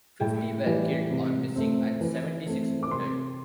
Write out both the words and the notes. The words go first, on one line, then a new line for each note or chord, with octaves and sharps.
Fifty were killed or missing and seventy-six wounded.
A2 G5
E3 G3
C3
A3 C4
E3
A3 C4
D6
C3 C6